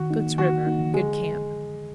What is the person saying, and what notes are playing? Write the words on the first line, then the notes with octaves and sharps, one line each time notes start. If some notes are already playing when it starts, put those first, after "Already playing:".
Soot's River.--Good camp.
Already playing: D#3 F#4
A#3 D#4
D#3 F#4
A#3 D#4
D3 G#3